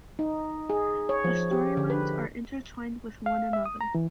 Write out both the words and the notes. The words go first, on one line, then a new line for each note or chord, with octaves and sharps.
The storylines are intertwined with one another.
D#4
G#4
C#5
F3
G4
D3
B4
F5
E5
D#6
A#5
E3